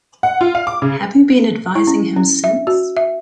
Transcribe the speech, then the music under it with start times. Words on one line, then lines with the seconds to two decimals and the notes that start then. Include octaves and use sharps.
Have you been advising him since?
0.23 F#5
0.41 F4
0.55 F5
0.67 D6
0.82 C#3
1.75 E4
1.87 C#4
2.16 C#4
2.44 E5
2.67 F#4
2.97 E5